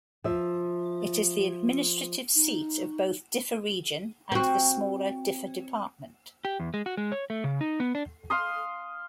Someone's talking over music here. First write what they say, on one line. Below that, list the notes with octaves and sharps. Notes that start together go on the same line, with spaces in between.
It is the administrative seat of both Diffa Region, and the smaller Diffa Department.
F3 E5
D#4
C4 F#4
G4
E2
G#3
F#4
G#3
C#5
A3
C#3
D#4
B3
D4
F5 C6 D#6